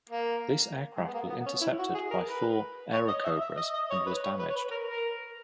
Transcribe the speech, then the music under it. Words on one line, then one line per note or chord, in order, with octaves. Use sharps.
This aircraft was intercepted by four Airacobras and was damaged.
A#3
G#3
B3
A#3
B3
C#4
E4
F#4
G#4
A#4
B4
C#5
D#5
E5
E5
D#5
D#5
C#5
B4
C#5
B4
C#5
B4
A#4
A#4